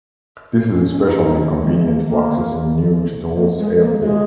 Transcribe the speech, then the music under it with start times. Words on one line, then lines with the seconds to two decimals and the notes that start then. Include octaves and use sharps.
This is especially convenient for accessing New Chitose Airport.
0.73 C#4
0.89 C#4
1.06 D#4
1.23 D#4
1.61 G#3
1.83 A#3
2.05 A#3
3.36 A#3
3.59 G#3
3.81 A#3
4.02 G#3